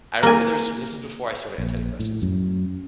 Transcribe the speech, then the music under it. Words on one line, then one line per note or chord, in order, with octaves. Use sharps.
I remember there was this is before I started antidepressants.
A#3 G#5
A#1
A2
F#2